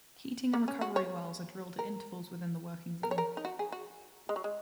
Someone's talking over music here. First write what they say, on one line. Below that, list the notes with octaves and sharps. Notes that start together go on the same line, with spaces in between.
Heating and recovery wells are drilled at intervals within the working zone.
A#3
C#4
F#4
C#5
A#4
A#4
C#5
A#4
D#4
F#4
G#4
F#4
G#3
F#3
G#3